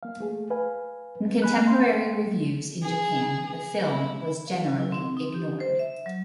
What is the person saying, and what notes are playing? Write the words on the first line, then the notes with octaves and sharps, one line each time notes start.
In contemporary reviews in Japan, the film was generally ignored.
A#3 F5
A3 G#4
B4 F5 G#5
G#5 B5 F#6
G5 C6
G#4
G#4
E4
F5
F#3
E4
C4
D#4
G4
C5
E5
F#3